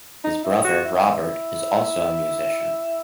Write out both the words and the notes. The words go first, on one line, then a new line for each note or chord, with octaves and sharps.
His brother, Robert, is also a musician.
D#4
E4
F#4
E4